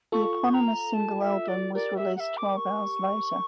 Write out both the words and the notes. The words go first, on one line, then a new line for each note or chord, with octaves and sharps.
The eponymous single album was released twelve hours later.
F4 A4 C#6
A#5
A5
E5
D5
G4 A#4 D5
E5
F#5
E5
D6
C#6